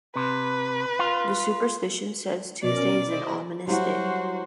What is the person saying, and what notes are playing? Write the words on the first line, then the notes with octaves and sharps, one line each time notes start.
The superstition says Tuesday is an ominous day.
C3 B4
F4
B2 C#4 A#4 D5
E4 C5 D#5
F#3 G3 E4 F#4 C5